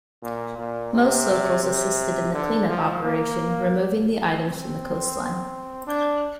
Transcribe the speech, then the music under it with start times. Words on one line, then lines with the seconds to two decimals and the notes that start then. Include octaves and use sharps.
Most locals assisted in the clean-up operation, removing the items from the coastline.
0.23 A#2
0.58 A#2
0.93 C3
1.63 C3
2.34 D3
2.69 F3
3.04 A#3
4.46 C4
5.87 D4